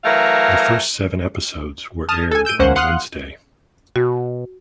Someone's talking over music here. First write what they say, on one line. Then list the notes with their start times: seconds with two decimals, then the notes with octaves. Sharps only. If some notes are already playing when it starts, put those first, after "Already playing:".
The first seven episodes were aired on a Wednesday.
0.04 E3 F#3 A3 A#4 F5
2.09 A5 D#6 F6
2.31 A4 G#5
2.45 E6 G6 D7 D#7
2.59 C#2 A#3 C#4 C5 F#5
2.75 F5 F#5 C6 D#6 F6 F#6
3.96 B2 F#4